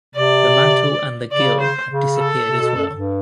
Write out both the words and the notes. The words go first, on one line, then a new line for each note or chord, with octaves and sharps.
The mantle and the gill have disappeared as well.
C3 D5
C#3 D5
C5
C#3
A4
C3
B2
F#2
G2